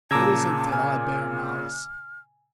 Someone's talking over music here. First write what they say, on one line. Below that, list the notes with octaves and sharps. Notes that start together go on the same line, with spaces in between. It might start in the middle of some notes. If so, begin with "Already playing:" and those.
It isn't that I bear malice.
A#2 C#3 A5 A#5 D6 E6 G#6
G#5 F6